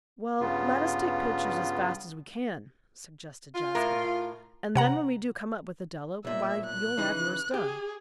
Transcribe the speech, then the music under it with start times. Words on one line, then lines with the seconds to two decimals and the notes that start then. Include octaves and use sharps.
"Well, let us take pictures as fast as we can," suggested Jasper, "and then when we do come up with Adela, why you'll have yours done."
0.40 G2 C#3 B3 F4
3.55 F4
3.75 A2 A#4
4.76 C3 F#5 A#5
6.25 B1 A#2 E5
6.65 F#6
6.97 C#3 E3 D#4
7.54 G4 G#4